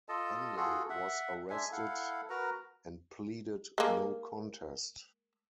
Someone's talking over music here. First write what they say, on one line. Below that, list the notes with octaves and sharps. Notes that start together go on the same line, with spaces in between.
Henley was arrested and pleaded no contest.
F4 A4 D#5 A5
F4 F#4 G#4 A4
E5 F#5
G#3 D4 E5 G#5
E4 A4 F5 F#5
F#4 A#4 B4 A#5
G#3 A#3